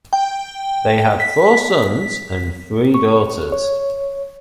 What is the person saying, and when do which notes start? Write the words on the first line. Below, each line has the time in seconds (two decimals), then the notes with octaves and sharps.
They had four sons and three daughters.
0.13 G5
1.20 B6
2.94 C#6
3.52 C#5